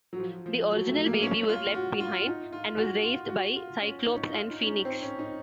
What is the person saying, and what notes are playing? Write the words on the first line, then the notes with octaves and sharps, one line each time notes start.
The original baby was left behind, and was raised by Cyclops and Phoenix.
F#3
F3
F3
F#3
A3
A#3
C#4
F4
F#4
F4
D#4
F4
F#4
F4
F#4
F4
C#4
D#4
C#4
D#4
F4
D#4
C#4
D#4
C4
C#4
D#4